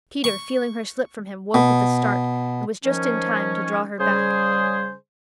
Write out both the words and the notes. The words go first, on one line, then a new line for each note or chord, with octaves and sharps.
Peter, feeling her slip from him, woke with a start, and was just in time to draw her back.
C#6
B2
D#3 F3 C#4
C#3 G3 G#4 C5